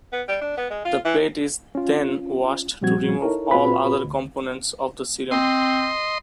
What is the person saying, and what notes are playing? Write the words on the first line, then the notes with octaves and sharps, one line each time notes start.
The plate is then washed to remove all other components of the serum.
B3
G3
D4
B3
G#3
F4
E3
C#4 F4
A#2 F3 G3 C4 F#4 G#6
D#4 E4 A4 A#4 C#5
A#2 C4 F4 F#4 B4 B5
D2
C4 D#5 C6